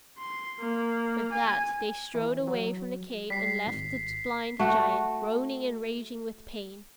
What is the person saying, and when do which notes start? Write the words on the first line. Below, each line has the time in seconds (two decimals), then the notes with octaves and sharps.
With that they strode away from the cave and left the blind giant groaning and raging with pain.
0.18 C6
0.59 A#3
1.32 G#5
2.14 E3
2.48 F#3
3.30 G3 B6 C7
3.67 G#1
4.59 A3 F#4